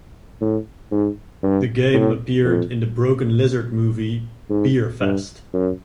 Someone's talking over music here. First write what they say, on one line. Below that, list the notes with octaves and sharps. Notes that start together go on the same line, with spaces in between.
The game appeared in the Broken Lizard movie, "Beerfest".
A2
G#2
G2
A2
F2
G#2
G2
F#2